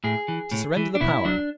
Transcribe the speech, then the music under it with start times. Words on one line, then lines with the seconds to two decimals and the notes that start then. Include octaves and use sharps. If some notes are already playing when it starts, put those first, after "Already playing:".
To surrender the power.
0.04 A2 G#4
0.28 E3
0.51 A2
0.77 E3
0.95 D4
1.00 B2 E4
1.25 F#3 D4